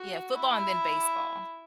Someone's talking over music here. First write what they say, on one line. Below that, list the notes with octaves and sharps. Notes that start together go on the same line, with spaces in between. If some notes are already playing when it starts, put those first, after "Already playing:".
yeah, football and then baseball.
Already playing: F#4
E4